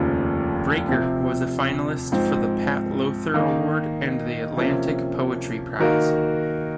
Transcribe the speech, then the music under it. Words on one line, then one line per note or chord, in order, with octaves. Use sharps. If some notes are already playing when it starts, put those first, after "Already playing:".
"Breaker" was a finalist for the Pat Lowther Award and the Atlantic Poetry Prize.
Already playing: F1 D#2 C#3 F3
C3 F3 C4
G#2 F3 C4
D#3 A#3 D#4
C3 F3 A#3 C#4
D#3 A#3 D#4 F#4 A#4